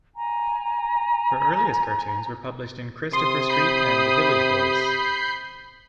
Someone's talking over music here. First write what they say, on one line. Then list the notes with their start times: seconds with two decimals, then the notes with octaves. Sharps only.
Her earliest cartoons were published in "Christopher Street" and "The Village Voice".
0.15 G#5 A#5
3.13 C3 C6 D#6
3.49 B5 G6 C7